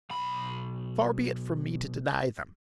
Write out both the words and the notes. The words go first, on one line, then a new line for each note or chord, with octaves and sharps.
Far be it from me to deny them.
B1 B5